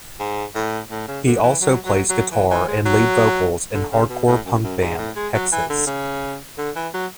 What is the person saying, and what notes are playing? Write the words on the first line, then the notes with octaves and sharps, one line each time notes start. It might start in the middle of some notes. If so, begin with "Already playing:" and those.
He also plays guitar and lead vocals in hardcore punk band, Hexes.
G#2
A2
A2
C#3
D3
E3
F#3
F#3
F#3
E3
E3
G#3
F#3
D3
C#3
B2
A2
F#2
F#2
G#2
A2
G#3
F#3
E3
D3
C#3
D3
E3
F#3